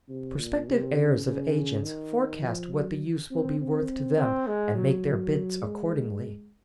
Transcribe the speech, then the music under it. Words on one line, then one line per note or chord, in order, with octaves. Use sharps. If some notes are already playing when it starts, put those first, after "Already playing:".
Prospective hirers of agents forecast what the use will be worth to them and make their bids accordingly.
C3
A#2
C3
C#3
C#3
D#3
F3
F#3
C4
C4
C4
G#3
F#3
G#3